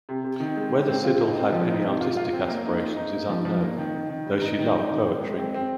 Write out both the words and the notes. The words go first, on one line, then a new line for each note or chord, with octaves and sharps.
Whether Siddal had any artistic aspirations is unknown, though she loved poetry.
C3
C3
D#3
G#3
G#3
C4
F4
D#4
C4
F3
D#4
C3
F4
F4
C4
A#3
D#4
D#4
D#4
A#3
F3
F3
A#3
D#3
D#3
D#3
G3
D#4
D#3
D#4
D#3
G#3
G#3
C4
C4